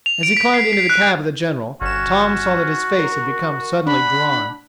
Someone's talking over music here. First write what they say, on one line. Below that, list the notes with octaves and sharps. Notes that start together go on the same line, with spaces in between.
As he climbed into the cab of the General, Tom saw that his face had become suddenly drawn.
F7
D7
B6
C7
C7
F#6
G1 C#4 F#4 E7
A#4
D4 F#5 B5